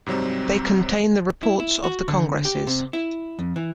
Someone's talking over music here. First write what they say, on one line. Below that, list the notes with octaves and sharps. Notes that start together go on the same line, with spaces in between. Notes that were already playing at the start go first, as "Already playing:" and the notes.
They contain the reports of the congresses.
G#2 C3 F#3 G3 C4
E4
E4
F#4
D3
G4
C3
E4
F2
E3